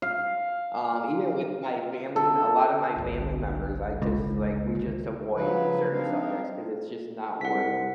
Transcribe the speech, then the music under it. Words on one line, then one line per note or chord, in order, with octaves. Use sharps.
um, even with my family m a lotta my family members, I just, like we just avoid certain subjects 'cause it's just not worth,
F5
A4
G1 C2
C#2
D#3 A3
C#3 F3 F#3 B4
C4 D4 D#4 F5
C2 F#5 B6